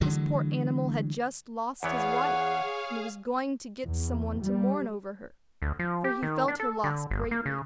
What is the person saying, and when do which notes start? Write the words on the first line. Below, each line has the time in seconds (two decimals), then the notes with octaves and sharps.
This poor animal had just lost his wife, and was going to get some one to mourn over her, for he felt her loss greatly.
0.01 D3 E3 F#3 G#3
1.83 E2 E3 B3 G#4 C#5 F5 F#5
3.85 E2
4.40 G3
5.62 D2
5.79 F3
6.04 G4
6.23 D#3
6.48 D4
6.60 A4
6.84 D3
7.11 G1
7.31 A#3
7.45 C#3